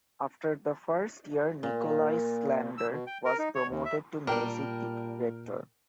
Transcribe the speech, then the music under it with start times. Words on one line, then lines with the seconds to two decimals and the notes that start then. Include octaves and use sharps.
After the first year, Nicole Sandler was promoted to Music Director.
1.63 A#2
2.78 E6
2.91 B2
3.07 G5
3.25 A#4
3.39 D#4
3.55 C#5
3.70 D#2
3.85 E5
4.27 A#2 G3 D4 A#4 G5